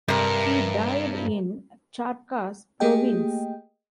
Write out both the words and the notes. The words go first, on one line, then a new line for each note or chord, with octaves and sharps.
He died in Charcas Province.
G2 C3 A#4
A3 A#3 G4 G#4 D#5 G5